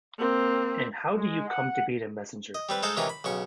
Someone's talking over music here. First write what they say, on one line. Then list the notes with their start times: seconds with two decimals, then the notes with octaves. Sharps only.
And how do you come to be the messenger?
0.18 A#3 C4
1.15 G#3
1.48 F#5
2.55 D#5
2.69 G3 C4 B4
2.83 G#3 D#4 A4 C5 F5
2.97 C3 D#3 E3 C#4 F4 A#4
3.09 B5
3.24 B1 C#3 C#6